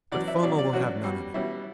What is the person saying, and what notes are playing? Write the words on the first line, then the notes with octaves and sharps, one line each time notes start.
But Foma will have none of it.
E2 B2 F#3 C#4 D5
E5
E2 B2 F#3 C#4 D5
D5
E2 B2 F#3 C#4 F#4
B2 G3 C#4
B2 G3 C#4 E4